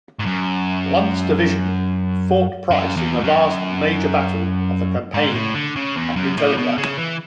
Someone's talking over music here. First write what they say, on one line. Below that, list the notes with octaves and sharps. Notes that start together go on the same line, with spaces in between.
Blunt's division fought Price in the last major battle of the campaign at Newtonia.
G#2
F#2
F#2
E2
G#2
F#2
G#2
A2
D3
C#3
E2
F#2
A2
B2
C#3
E3